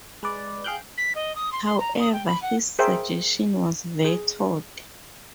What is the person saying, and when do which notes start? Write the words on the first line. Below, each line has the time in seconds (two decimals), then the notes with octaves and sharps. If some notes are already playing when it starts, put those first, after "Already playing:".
However, his suggestion was vetoed.
0.23 G#3 B4 D5
0.64 G#4 F5 G5 F#6 G6
0.98 B6
1.15 D#5
1.36 D#6
1.52 C6
1.65 C6
1.79 A#5
2.00 D#6
2.13 G5
2.26 B5
2.42 F#5
2.79 G#4 A#4 C5 E5 G5
4.05 G#4